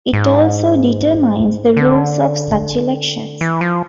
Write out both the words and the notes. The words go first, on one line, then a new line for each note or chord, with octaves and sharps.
It also determines the rules of such elections.
G#2
D3
E3
F3